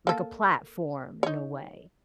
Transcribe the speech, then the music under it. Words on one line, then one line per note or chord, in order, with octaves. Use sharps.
like, a platform in a way,
A#3 A4
D#4 C#5